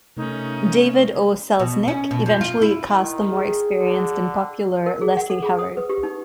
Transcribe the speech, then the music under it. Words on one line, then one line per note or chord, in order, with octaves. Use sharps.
David O. Selznick eventually cast the more experienced and popular Leslie Howard.
C3 A3 C#4 D#4 A#4
B2
C#4
B2
F2
F4
E4
D#3 E4
G#4
D3
A#4
G#4
F#5
A4
G#4
D#6
B4
G4
D#4